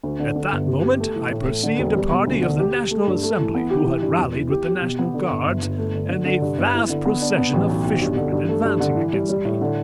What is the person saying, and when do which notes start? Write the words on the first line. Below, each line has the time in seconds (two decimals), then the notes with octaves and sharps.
At that moment I perceived a party of the National Assembly, who had rallied with the National Guards, and a vast procession of fishwomen, advancing against me.
0.03 D2
0.19 D3
0.36 D3
0.52 G1
0.67 G4
0.83 G4
1.00 A3
1.15 E3
1.31 A2
1.47 A3
1.63 D3
1.79 E1
1.95 G3
2.11 B2
2.27 D2
2.42 D3
2.59 G4
2.75 G4
2.91 A3
3.07 G2
3.23 A3
3.39 E3
3.55 B3
3.70 G4
3.86 E3
4.02 G2
4.18 E1
4.35 E3
4.50 G4
4.67 G4
4.82 B2
4.99 B3
5.14 D3
5.30 G1
5.46 G1
5.62 G1
5.78 A3
5.94 D3
6.09 D3
6.25 D3
6.42 G2
6.58 G1
6.74 E4
6.89 D3
7.05 B3
7.22 D4
7.37 B3
7.53 A1
7.69 B1
7.85 B1
8.02 G2
8.17 D3
8.32 G2
8.49 A3
8.65 G2
8.80 D3
8.97 E3
9.13 G3
9.29 G3
9.45 A2
9.61 D3